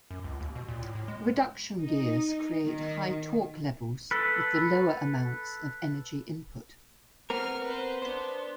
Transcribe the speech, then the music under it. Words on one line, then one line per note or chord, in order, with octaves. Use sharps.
Reduction gears create high torque levels with the lower amounts of energy input.
F#2
C#2
D#2
B2
A#2
A2
A2
G#3
D#4
D#3
A4 B4
B3 C4 A#4 F6
B4 C5
B3 D4 C5